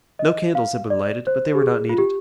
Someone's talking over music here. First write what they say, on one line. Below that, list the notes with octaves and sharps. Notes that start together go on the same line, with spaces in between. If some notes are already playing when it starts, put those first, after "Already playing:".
No candles had been lighted, but they were not needed.
D#5
F5
D5
C5
G4
G#4
F4
G4